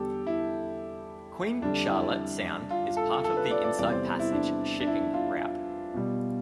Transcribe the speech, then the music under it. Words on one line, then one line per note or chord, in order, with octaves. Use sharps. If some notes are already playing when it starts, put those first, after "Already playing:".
Queen Charlotte Sound is part of the Inside Passage shipping route.
Already playing: E2 D3 G3 G4 A4
E4
F2 D3 G3 D4
E4
F4
A4
A4
B4
D5
D5
E2 C3 E3 G3 D5
C5
E4
D4
D4
E4
F4
B2 G3